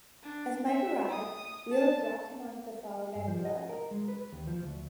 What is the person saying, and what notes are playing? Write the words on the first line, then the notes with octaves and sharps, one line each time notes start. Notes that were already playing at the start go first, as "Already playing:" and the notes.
As Mike arrived, Wheeler dropped him onto the flowerbed below.
D4
E5
D#6
A5
G2
F3
D#5
A#4
G#3
B4
D#2
F3
D2